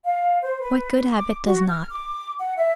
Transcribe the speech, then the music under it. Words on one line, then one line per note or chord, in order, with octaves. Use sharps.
What good habit does not?
F5
C5
B4
D6
F#4
F6
D6
F#5
E5